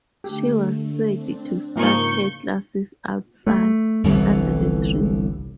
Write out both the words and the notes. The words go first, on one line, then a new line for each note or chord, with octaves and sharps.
She was said to start her classes outside, under the tree.
D3 A3 G4
C4 D4
G#2 C#3 F3 A#3 D#4 C#6 G6
A3
G1 C2 G2 E3